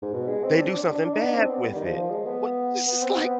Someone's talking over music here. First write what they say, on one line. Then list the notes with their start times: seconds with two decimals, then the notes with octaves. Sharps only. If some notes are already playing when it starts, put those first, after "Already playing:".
they do something bad with it. What this is like
0.02 G#2
0.14 B2
0.28 G#3
0.44 C4
0.59 D4
0.74 D4
0.95 D4
1.05 D4
1.14 D#4
1.25 D4
1.35 C4
1.50 B3
1.65 G3
1.76 D#3
1.85 F3
1.95 F3
2.11 G#3
2.26 B3
2.87 B3
3.02 C4
3.18 B3